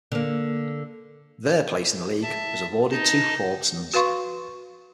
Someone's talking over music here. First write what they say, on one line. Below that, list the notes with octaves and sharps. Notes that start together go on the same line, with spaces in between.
Their place in the league was awarded to Fordsons.
D3 A#3
E5 A5
D#4 D#5 A5
F#4 B4 F5 C6 C#6